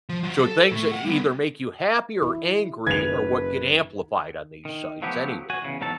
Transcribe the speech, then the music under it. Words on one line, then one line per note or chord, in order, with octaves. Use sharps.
So things that either make you happy or angry are what get amplified on these sites anyway.
F3
F#3 F4
A4
A2 A3
F5 F#5
G3 B3
E4
F#1 D#3 B4 G#6 F7
D#3
F3 F#3 A3 B3 G4
F#4 G#5
E2 C#3
E2 G#2 F#3 A4 A5